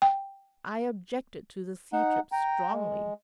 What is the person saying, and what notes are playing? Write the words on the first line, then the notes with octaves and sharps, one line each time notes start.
I objected to the sea trip strongly.
G5
D#4 F#5
G5 A#5
G#3